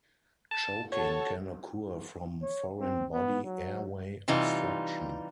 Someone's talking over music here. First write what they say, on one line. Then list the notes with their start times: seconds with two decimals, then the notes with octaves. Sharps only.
Choking can occur from foreign body airway obstruction.
0.51 A5
0.92 F#4 A4 C#5 A5
2.42 C#5
2.81 C4
3.13 B3
3.46 F#3
4.28 C3 E3 G3 D#4 F4